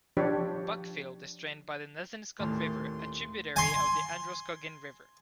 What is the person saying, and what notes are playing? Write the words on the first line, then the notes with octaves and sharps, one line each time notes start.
Buckfield is drained by the Nezinscot River, a tributary of the Androscoggin River.
F3 D4 G4 C#5
D#1 A2 A3 A5 C6 F6
G#5 C6